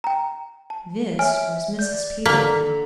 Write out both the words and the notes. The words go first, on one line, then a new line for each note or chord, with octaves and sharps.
THIS was Mrs. Peterkin.
G5 A#5
A5
C#5 E5 G#5 F6
D5 G6
D3 A#3 A4 A#5 B6